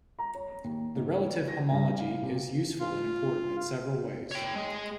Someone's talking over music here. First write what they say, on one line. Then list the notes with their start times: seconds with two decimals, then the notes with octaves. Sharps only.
The relative homology is useful and important in several ways.
0.19 A#5
0.35 C#5
0.64 D#2
0.95 G#2
1.13 C#5
1.48 A#6
1.72 G2
2.00 F5
2.23 C3
2.80 F4
4.31 C#5 G5
4.56 G#3 G#4